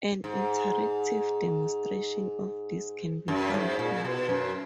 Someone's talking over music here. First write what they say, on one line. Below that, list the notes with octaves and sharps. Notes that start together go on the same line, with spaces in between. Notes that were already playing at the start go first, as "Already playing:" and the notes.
An interactive demonstration of this can be found here.
G#2
F#2
G#2
A#2
B2
F#2